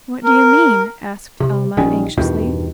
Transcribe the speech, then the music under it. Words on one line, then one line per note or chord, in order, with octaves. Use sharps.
"What do you mean?" asked Alma anxiously.
A#4
C3
A#1 D#3 G3 C#4
E2 G2 B2 D#3